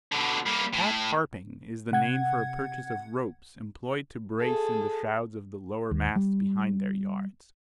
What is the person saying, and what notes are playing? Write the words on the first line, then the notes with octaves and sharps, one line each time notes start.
Cat-harping is the name for a purchase of ropes employed to brace in the shrouds of the lower masts behind their yards.
B2 D3
G3 A#3
A2
C3 F#5 G#6
G#4 A4
D#2
G3